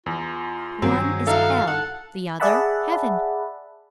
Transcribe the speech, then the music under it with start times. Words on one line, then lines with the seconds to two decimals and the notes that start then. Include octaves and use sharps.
One is Hell--the other Heaven.
0.06 E2 F4
0.82 G2 D#3 F#3 C4 G#4
1.27 D#4 E4 F#4 A4 F5
1.67 A4 F#5
2.40 G#4 D5 E5 F#5 A5 B5